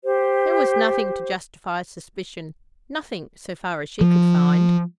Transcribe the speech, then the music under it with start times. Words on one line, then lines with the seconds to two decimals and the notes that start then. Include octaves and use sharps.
There was nothing to justify suspicion, nothing, so far as she could find.
0.04 G4 C5
4.01 F3